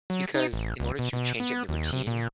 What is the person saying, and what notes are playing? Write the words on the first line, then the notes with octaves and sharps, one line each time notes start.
Because in order to change up the routine,
F#3
D#4
A1
C#2
B2
B2
B3
D#2
C3
A#2